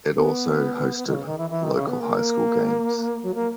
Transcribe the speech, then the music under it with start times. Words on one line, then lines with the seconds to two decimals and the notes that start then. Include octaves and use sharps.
It also hosted local high school games.
0.15 B3
1.07 D#3
1.14 C#3
1.26 D#3
1.38 E3
1.50 E3
1.64 D#3
1.75 C#3
1.88 B3
2.00 A#3
3.23 F#3
3.34 A#3